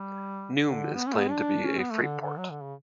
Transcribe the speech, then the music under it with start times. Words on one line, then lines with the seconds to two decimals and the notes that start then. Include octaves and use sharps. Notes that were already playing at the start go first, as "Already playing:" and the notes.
Neum is planned to be a freight port.
Already playing: G3
0.59 D3
0.95 B3
1.07 C#4
1.14 A3
1.18 B3
1.31 D4
1.66 C#4
1.78 B3
1.91 A3
2.03 D3
2.20 D3
2.38 F#3
2.50 D3
2.63 C#3